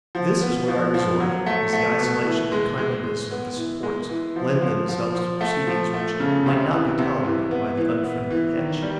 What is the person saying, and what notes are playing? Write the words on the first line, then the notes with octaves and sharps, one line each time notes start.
This is where I resort, as the isolation and kindliness of the supports lend themselves to proceedings which might not be tolerated by the unfriendly hedge.
F3
B3
F3
F3
F#3
A3
A3
B2
E3
G#3
G#3
G#3
B3
E3
G#3
E3
F3
F3
F3
F3
A3
F3
A3
C#3
C3
E3
C3
E3
B3
E3
B3
E3
D#3
G3